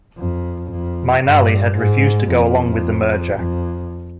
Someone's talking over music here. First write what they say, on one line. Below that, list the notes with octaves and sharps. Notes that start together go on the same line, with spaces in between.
Mainali had refused to go along with the merger.
F2
F2
G2
G#2
F2
F2